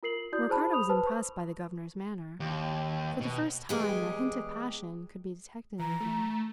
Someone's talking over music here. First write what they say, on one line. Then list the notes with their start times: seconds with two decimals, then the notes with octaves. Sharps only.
Ricardo was impressed by the governor's manner; for the first time a hint of passion could be detected in him.
0.03 F4 A#4 C7 F#7
0.33 E4 F#4 D5 D#6 G6
0.49 G#4 C5 A5 B5
0.72 B5 D#6 F7
0.89 B4 C5 A5
1.07 C#6
2.40 D#2
3.21 B2
3.69 E2 G#3 G4
5.79 E3 A#5
6.00 A3